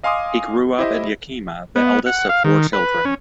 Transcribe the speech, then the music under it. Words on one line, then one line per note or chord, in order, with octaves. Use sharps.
He grew up in Yakima, the eldest of four children.
D#5 F5 G#5 C6 D6 D#6
E4 G4 C5 D#5 E5
B3
F#5
F5
D#3
B4
C#4